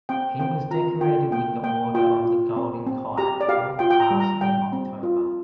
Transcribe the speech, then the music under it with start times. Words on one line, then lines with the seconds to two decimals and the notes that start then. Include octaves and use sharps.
He was decorated with the Order of the Golden Kite, Fourth Class, in October.
0.09 C4 G5
0.39 C4 G5
0.71 F4 A#5
1.01 F4 G5
1.32 A#3 G5
1.63 A#3 G5
1.95 F4 G5
2.25 F4
2.56 C4
2.87 C4
3.18 G4 A#5
3.41 D5
3.49 G4 F5
3.79 F4 G5
3.91 G5
4.00 A#5
4.11 G3
4.20 A#5
4.41 G3 G5
4.73 C4
5.03 F4